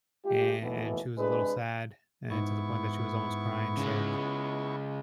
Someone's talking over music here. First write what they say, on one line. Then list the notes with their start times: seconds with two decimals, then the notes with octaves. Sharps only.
an and she was a little sad and to the point that she was almost crying. So,
0.25 G#3 F4 G4
0.61 D#2 B2 E3 A3 B3
1.18 C3 G#3 D4 G#4 B4
2.30 G#2 B3 E4 C#6
3.77 C#3 G#3